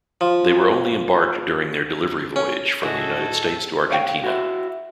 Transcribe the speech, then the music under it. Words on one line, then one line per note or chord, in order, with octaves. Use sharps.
They were only embarked during their delivery voyage from the United States to Argentina.
F3
C#4
F#2 A2 G#3 E4 F#4 A4
C#5 F5 G5
E4 F#4